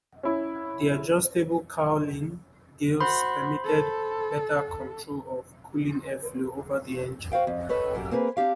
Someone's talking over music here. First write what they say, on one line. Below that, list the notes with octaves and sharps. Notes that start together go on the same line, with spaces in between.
The adjustable cowling gills permitted better control of cooling airflow over the engine.
C#4 E4
F#4 C5 B5 C6
A4
F#4 C5 F5 G5
F2
A4 B4 C#5 D#5
F#2 F#4 G4
A#3 C4 G#4 A#4 B4
C4 D4 G4 F5